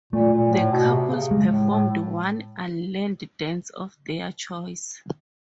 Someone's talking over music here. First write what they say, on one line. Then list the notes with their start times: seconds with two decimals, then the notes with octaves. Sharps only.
The couples performed one unlearned dance of their choice.
0.13 A#2 A3
0.32 A#2
0.52 A2
0.72 B2
0.91 C3
1.11 C#3
1.31 G#3
1.50 A2
1.70 A2